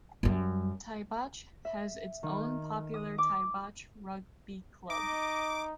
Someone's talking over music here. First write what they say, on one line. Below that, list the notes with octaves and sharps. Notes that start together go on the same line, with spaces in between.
Taibach has its own popular Taibach Rugby Club.
F#2 G3
E5
D#3
D#6
D6
D#4 D#5 D6